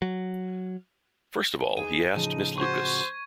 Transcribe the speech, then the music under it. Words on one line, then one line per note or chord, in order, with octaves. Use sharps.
First of all, he asked Miss Lucas.
F#3
D#4 G#4 B4 D#7
A2 C#3 F3 D#4
F#4 C5 C#6 G#6